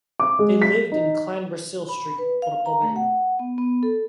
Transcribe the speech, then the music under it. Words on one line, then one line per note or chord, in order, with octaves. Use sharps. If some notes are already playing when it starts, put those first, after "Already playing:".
They lived in Clanbrassil Street, Portobello.
D6
G#3
B6
D#4
B5
B4
F5
A#5
A3
F#5
B3
B3
A4